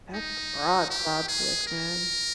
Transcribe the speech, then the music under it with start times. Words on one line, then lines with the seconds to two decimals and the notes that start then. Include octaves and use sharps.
That's a broad subject, man.
0.14 D#4
0.90 G4
1.28 G#4
1.67 A#4